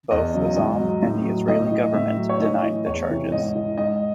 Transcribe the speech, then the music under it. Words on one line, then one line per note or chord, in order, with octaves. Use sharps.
Both Azzam and the Israeli government denied the charges.
E2 D#5
C#3 F#3
G#2 D#5
F#3
A2
F#3
A2 D#5
E3
A2 E5
F#3
C#5
A2 D#5
E3
E2 C#5
C3 E3
G#2 D#5
E3
G#2 D#5